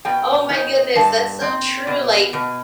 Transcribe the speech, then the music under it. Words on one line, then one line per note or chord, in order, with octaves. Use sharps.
Oh my goodness, that's so true, like,
B2 G5
D#4
G2 A5
C4
B2
B2